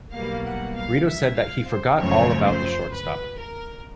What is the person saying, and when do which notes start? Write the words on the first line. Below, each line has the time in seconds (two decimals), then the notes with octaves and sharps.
Brito said that he "forgot all about the shortstop".
0.13 B1 B2 G3 A#3 F5
0.43 F#5
0.75 F5
1.06 E5
1.37 F5
1.67 C5
1.98 F#2 C#3 F3 A3 C4 C#5
2.45 C5
2.92 B4
3.38 A#4